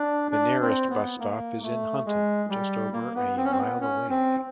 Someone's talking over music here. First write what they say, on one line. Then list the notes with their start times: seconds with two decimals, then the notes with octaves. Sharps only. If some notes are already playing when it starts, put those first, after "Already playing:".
The nearest bus stop is in Hunton, just over a mile away.
Already playing: D4
0.31 D4
0.61 C4
0.90 B3
1.20 A#3
1.63 A3
2.06 G#3
2.50 G3
2.93 A#3
3.16 B3
3.37 C4
3.44 C#4
3.52 C4
3.59 B3
3.81 C#4
4.10 C4